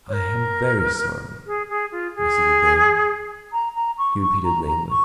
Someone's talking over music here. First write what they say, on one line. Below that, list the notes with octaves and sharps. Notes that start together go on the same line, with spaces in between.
"I am very sorry, Mrs. Adair," he repeated lamely.
C#5
A#4
G#4
G#4
F4
G#4
A#5
A#5
C#6
C#6
A#5
A#5
C#6